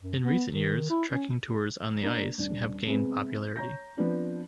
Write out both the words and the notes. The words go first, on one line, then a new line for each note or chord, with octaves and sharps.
In recent years, trekking tours on the ice have gained popularity.
F#2
B3
D#3
E4
C#4
A#3 D4 A#5
D#1 D4
C3 G#3 B3 C4
C#5 A#5 G6 A#6
F3 B3 C4 D4 F4